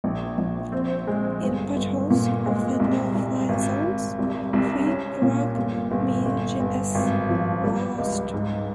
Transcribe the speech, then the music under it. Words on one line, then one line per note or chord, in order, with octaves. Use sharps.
In patrols of the no-fly zones, three Iraqi MiGs were lost.
A#1
A#1
C4
G#3
G1
G1
A#2
G#3
C2
C2
G#1
G#1
C2
C2
C#4
A#2
G1
G1
G1
G1
G#1
F3
G3
C#2
G#2